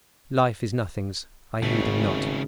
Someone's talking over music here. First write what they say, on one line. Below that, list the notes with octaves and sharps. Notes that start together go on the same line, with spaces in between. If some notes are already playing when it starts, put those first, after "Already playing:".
Life is nothings; I heed him not.
G#1 C#3 A3